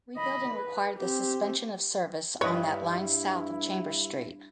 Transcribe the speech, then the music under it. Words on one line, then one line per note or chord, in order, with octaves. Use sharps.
Rebuilding required the suspension of service on that line south of Chambers Street.
D#5 B5
B4
C4 G4
G2 E4 B4 C#5 D#5